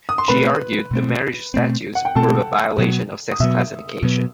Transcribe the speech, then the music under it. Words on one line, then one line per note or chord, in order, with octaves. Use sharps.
She argued the marriage statutes were a violation of sex classification.
D#6
C6
B2 A3 C4 B4 B5
B2 A3 C4
B2 A3 C4
F#5
G5
B2 A3 C4 A4 A5
B2 F#3 B3
D#6
B2 F#3 B3 E5 E6
B2 F#3 B3